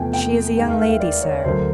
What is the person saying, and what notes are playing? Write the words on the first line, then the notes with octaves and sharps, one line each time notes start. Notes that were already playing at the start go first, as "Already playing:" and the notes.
"She is a young lady, sir."
Already playing: E2 C3 F3 A3 G5 G#5
G5
D#2 D#3 G#3 G5
F5
F5
E5
D5
C#5
D2 D3 F#3 A#3 C5